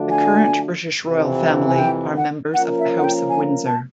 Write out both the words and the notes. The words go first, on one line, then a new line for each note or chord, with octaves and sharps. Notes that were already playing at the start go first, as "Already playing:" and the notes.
The current British royal family are members of the House of Windsor.
Already playing: D3 F3 A3 D4 F#4
G#5
F2 C3 E3
G#5
G5
F#5
F3 A#3 C#4 F4 A#4 F#5
E5
F#5
G5
G#5
A5